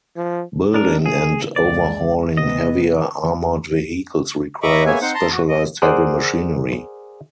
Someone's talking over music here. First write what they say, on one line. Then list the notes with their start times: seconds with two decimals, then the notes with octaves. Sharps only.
Building and overhauling heavier armoured vehicles required specialized heavy machinery.
0.16 F3
0.74 D4 A#4
1.06 G#4
1.56 C#2 D5
2.37 C3 E3 B3 D#5
4.63 D#5 E5 A#5 B5 C#6 D6
4.86 A#3 B3 G#4 C#5 E5 G#5
5.02 C4 D#4 C5 F#5
5.14 A5 A#5 C6
5.31 F#4
5.48 D#5
5.82 G#4 A#4 C5 D5 F#5